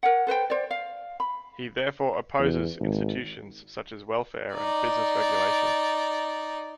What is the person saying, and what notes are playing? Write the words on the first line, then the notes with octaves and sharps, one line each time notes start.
He therefore opposes institutions such as welfare and business regulation.
A#4 C#5 F#5
A4 B4 C5 G5
C5 D5
F5
B5
E2
G#1
D#4 D5